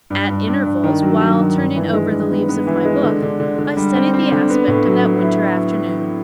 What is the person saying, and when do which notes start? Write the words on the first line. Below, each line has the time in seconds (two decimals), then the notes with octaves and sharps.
At intervals, while turning over the leaves of my book, I studied the aspect of that winter afternoon.
0.10 G2
0.30 G2
0.47 G2
0.66 G2
0.84 D#3
1.02 F#3
1.21 F#3
1.39 D#3
1.57 G2
1.76 E3
1.93 G#3
2.12 G2
2.31 B3
2.49 B3
2.67 E3
2.85 G#3
3.04 D3
3.22 D3
3.40 D3
3.58 D3
3.77 G3
3.95 C4
4.14 C4
4.32 D3
4.50 B3
4.68 A2
4.86 F#3
5.04 B3
5.22 E4